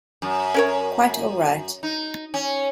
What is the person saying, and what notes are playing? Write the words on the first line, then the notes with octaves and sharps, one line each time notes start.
Quite all right.
F#2
C#4 A#4 C#5
D#4
C#4